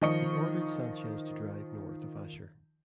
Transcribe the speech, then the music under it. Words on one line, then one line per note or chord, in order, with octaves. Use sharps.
He ordered Sanchez to drive north of Asher.
D#3 F3 D#5 C#6 C#7